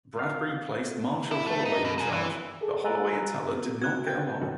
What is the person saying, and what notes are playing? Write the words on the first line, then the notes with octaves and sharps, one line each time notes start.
Bradbury placed Marshall Holloway in charge, but Holloway and Teller did not get along.
F5
E4
A3
D#4
B2
D#4 G#4
E3
G#4 A4
G#5 A#5 B5 E6 F#6 A6
F#4 F#6 G#6
G5 G6
B2 D#3 F#3 F#4 A4 B4